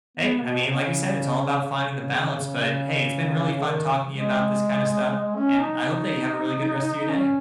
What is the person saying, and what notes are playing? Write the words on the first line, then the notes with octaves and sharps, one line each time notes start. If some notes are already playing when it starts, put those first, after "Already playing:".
Hey, I mean, like we said, it's all about finding the balance. But hey, it's been really fun talking to you about this kinda stuff, and I hope that you have a really good rest of your day.
B3
B2
C#3
C#3
C#3
C#3
C#3
D#3
G#3
G#3
C#4
D#4
C#4